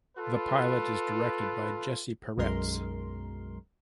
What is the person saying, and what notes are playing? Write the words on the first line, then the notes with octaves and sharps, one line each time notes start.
The pilot is directed by Jesse Peretz.
F4 A4 B4
B1 F#2 G#3 A#4 C6